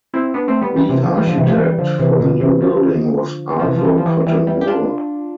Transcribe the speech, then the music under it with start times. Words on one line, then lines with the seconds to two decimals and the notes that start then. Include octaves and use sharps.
The architect for the new building was Arthur Cotton Moore.
0.14 C4 E4
0.34 B3 D4
0.48 A3 C4
0.61 G3 B3
0.76 E3 G3
0.89 C3 E3
1.03 D3 F3
1.17 E3 G3
1.27 D3 F3
1.37 C3 E3
1.43 G3
1.47 F3 A3
1.58 E3 G3
1.69 G3
1.78 D3 F3
1.99 C3 E3
2.19 B2 D3
2.40 C3 E3
2.61 D3 F3
3.60 F3
3.64 C3 E3
3.76 F3
3.84 E3 G3
3.98 F3
4.06 E3 G3
4.27 E3 G3
4.47 E3 G3
4.61 G4
4.67 D4 F4